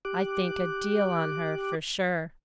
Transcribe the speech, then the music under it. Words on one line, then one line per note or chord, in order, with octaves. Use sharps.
I think a deal on her, for sure.
G4 D6 F#6